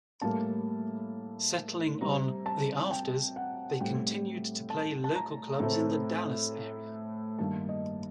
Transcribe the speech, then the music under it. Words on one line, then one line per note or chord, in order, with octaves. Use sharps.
Settling on "The Afters", they continued to play local clubs in the Dallas area.
A2 G3 A#3 A5
C3 G3 C4 A#5
A5
G5
F#5
A2 G3 C4 G5
A5
A5
A#5
A2 A3 C4
G2 D#3 G3 A#3 A5
D#5